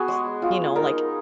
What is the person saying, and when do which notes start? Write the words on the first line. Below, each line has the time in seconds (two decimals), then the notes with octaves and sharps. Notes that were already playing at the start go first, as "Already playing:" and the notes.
t you know, like
Already playing: B3 F#4 G#4
0.08 G#3
0.42 F4
0.76 D#4 A#4